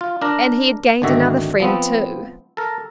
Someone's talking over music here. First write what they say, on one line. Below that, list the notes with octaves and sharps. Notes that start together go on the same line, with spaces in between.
And he had gained another friend, too.
F4
D4 A#4
G#1 D3 D#3 F#4 E5
F3 B3 C4
A4 A#4